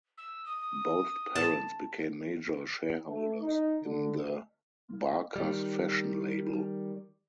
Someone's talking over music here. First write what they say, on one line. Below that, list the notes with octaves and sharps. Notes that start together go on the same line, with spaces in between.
Both parents became major shareholders in the Barkers fashion label.
E6
D#6
A5
A3
D#4
D3
D#3 G3